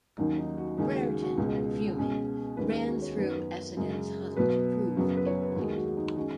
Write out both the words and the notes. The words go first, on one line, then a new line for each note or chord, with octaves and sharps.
Brereton, fuming, ran through Essendon's huddle to prove a point.
D#2 D#3 F#3 C#4 D#4
D#4
F#4
D#2 C#3 G#3 C#4 D#4
F#4
F#4
C#2 B2 G#3
B2 G#3 C#4
D#2 D#3 G#3 C#4 B4
G#4
F#4
C#5
F#2 D#3 B3 B4
F#2 C#3 G#3
B2 F#3 B3 B4
F#2 C#3 F#3 B3 F#4
B4
C#5
B4
D#2 D#3 G#3 F#4
F#4
F#4
D#4
D#3 G#3 C#4 F#4